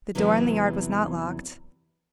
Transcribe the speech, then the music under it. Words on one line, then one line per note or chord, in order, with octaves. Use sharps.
The door in the yard was not locked.
E2 C3 E3 F#3